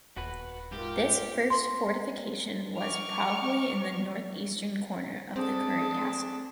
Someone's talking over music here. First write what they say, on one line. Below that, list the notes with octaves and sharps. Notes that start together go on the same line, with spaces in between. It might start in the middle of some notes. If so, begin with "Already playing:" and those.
This first fortification was probably in the northeastern corner of the current castle.
D#1 F#4 B4
G#2 F4 G4 A#4
C6
C#6 D6 F6
C4 D4 G#4 A4